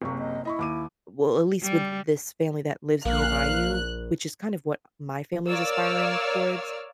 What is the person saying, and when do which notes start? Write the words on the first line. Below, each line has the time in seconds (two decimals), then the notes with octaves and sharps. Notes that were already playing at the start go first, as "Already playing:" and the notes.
well, at least with this family that lives nearby you, which is kind of what my family is aspiring towards,
0.02 F#1 C3 A#3 C#6
0.19 D#5
0.45 E4 D#5 B5 C#6
0.59 D#2 D6 D#7
1.62 G3
3.05 A#1 A#3 F5 F#6
5.48 A#4 C#5 D5 F5 E6 F6